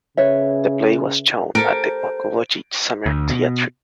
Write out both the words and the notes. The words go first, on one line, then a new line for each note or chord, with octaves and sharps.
The play was shown at the Okoboji Summer Theatre.
C#3 B4 C#5 E5
G4 A4 A#4 C5 D7
D2
B2